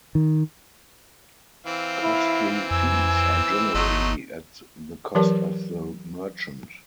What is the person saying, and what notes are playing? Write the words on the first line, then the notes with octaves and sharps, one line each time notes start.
Costly fees are generally at the cost of the merchant.
D#3
E3 C4 F5
E4
F2 G#5 E6
G1 F#3 A3 D#4 C6
E3 F#3 G4 A#4 D5 A5